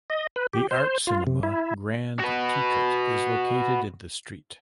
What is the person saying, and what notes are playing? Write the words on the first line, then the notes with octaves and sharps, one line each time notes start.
The art cinema Grand Teatret is located in the street.
D#5
B4
G4
C5
F4
C3
E4
F#4 B4